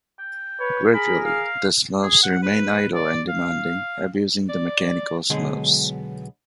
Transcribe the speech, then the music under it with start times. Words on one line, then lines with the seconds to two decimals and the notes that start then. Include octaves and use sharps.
Gradually, the Smurfs remain idle and demanding, abusing the mechanical Smurfs.
0.19 G5
0.60 B4 C#5
0.94 G#4 A#4 B5
1.25 F5
2.03 G#4
2.23 F#5
2.43 B4
2.94 D5
3.29 F5
4.49 D5
5.30 B1 D3 F#3 G#3 B3